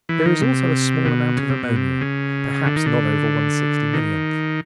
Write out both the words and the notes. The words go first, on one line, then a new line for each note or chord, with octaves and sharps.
There is also a small amount of ammonia, perhaps not over one-sixty-millionth.
E3
D#3
C3
B2
C#3
C3
B2
C3
C#3
D3
D#3
D3
D#3